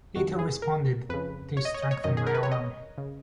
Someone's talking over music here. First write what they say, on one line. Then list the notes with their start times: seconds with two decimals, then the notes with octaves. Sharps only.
Leiter responded, To strengthen my arm.
0.16 F2 D#3 F#4
0.39 G#4
0.62 A#4
1.09 F2 C#3 B4
1.57 C#5
1.65 D#5
1.74 C#5
1.82 D#5
1.91 C#5
2.04 F#2 D#3 D#5
2.17 G#4
2.27 A#4
2.34 B4
2.43 C#5
2.52 D#5
2.98 C#3